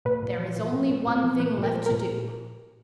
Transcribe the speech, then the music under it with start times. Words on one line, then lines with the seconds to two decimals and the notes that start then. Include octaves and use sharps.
"There is only one thing left to do."
0.05 A#2 B4
0.23 A#2
0.39 F3
0.56 F3
0.73 A#2
0.89 A#2
1.07 A#2
1.24 F3
1.40 F3 B4
1.58 A#2
1.63 A#4
1.75 F3
1.86 A#4
1.91 A#2